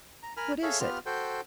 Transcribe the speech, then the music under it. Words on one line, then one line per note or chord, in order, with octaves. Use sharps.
"What is it?"
A#5
A#4 G#5 B5 F6
G#4 A4 C#5 E5 F5
B3 F4 G4 F6
F#4 A4 C5 G5